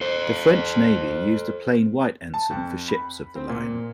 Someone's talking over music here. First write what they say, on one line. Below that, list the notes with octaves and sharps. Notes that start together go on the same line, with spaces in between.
The French Navy used a plain white ensign for ships of the line.
A4 C5
A5
F2
B5
C4
A#2